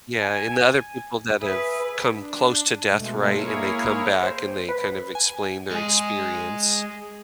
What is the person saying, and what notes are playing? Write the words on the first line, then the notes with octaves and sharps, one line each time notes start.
Yeah, and the other people that have come close to death, right, and they come back, and they kind of explain their experience.
G#5
G#4 B4 E5
D4
B2 G#3 A3
A#3 E4 G#4 A#4 C#5
C5
B4
G#5
G#3 G#4